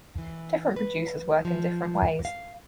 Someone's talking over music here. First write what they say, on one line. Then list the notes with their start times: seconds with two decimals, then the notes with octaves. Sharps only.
Different producers work in different ways.
0.18 E3
0.76 B4
1.45 F3
2.25 F5